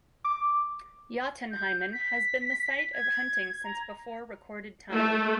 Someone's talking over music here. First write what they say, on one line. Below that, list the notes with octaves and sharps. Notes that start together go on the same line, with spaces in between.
Jotunheimen has been the site of hunting since before recorded time.
D6
G6
B6
G#6
A#5
A3